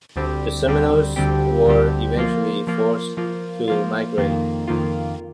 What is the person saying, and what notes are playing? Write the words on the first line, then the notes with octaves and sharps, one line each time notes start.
The Seminoles were eventually forced to migrate.
D2 D3 G3 C4 G4
D2 D3 G3 C4 G4
D2 D3 G3 C4 G4
D2 D3 G3 C4 G4
F3 A#3 F4
F3 A#3 F4
F3 A#3 F4
F3 A#3 F4
F2 D#3 A#3 F4
F2 D#3 A#3 F4